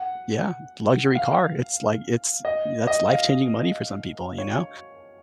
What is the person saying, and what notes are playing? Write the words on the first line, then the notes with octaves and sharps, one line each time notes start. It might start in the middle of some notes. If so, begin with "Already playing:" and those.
yeah, luxury car. It's like it's that's life-changing money for some people, you know?
Already playing: F#5
F5
D#5
D#5
F5
C#5